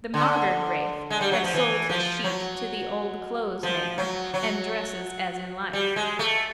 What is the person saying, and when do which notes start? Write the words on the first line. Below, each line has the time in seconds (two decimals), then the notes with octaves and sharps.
The modern wraith has sold his sheet to the old clo'es man, and dresses as in life.
0.14 D3
1.10 G#3
1.21 G3
1.32 F#3
1.44 F3
1.54 E3
1.89 F3
2.24 F#3
3.63 F3
3.98 F#3
4.34 F#3
5.73 G3
5.96 G#3
6.19 A3